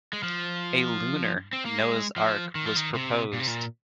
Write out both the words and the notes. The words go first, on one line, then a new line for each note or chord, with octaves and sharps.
A Lunar Noah's Ark was proposed.
G#3
F3
C4
A#3
G#3
F3
D#3
F3
D#3
C3
A#2
C3
A#2